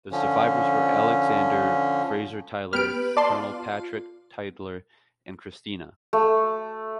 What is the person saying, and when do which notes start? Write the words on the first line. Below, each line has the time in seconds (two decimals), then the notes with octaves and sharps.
The survivors were Alexander Fraser Tytler, Colonel Patrick Tytler, and Christina.
0.12 D3 F3 C#4
2.73 B3 G4 B4 F6 D7
3.17 D5 A5 C6
3.32 F4
6.13 A3